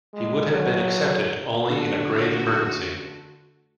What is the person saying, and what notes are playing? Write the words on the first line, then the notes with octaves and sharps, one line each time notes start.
He would have been accepted only in a grave emergency.
G#3
F#3
D3 A3 F#4